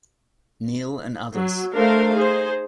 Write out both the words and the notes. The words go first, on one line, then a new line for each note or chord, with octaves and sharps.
Neale and others.
F#3
A3 D4 A#4 C5 F5
D#4 G#4 C5